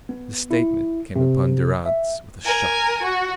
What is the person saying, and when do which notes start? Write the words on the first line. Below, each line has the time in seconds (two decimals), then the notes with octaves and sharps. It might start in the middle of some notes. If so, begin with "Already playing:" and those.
The statement came upon Durrance with a shock.
0.09 B3
0.51 E4
1.16 C3
1.86 E5
2.45 A#4 G#5
3.03 F#4